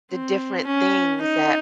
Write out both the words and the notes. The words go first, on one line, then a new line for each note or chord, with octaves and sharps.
the different things that
C4
C#4
D#4